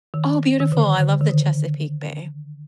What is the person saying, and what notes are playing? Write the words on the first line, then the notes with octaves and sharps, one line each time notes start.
Oh, beautiful. I love the Chesapeake Bay.
D#3
D#3
D3
D3
D#3
D3